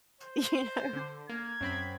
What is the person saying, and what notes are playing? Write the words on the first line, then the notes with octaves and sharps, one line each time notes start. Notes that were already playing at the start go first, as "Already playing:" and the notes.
you know,
C5
D3
A#3 G#6
F#2 C4 B5